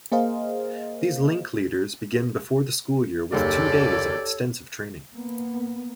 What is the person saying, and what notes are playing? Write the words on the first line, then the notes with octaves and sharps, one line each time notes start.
These Link Leaders begin before the school year with two days of extensive training.
A#3 G#4 A#4 C5 D#5 F5
F#1 D#2 G4 A4 C#5 D5 E6
A#3 B3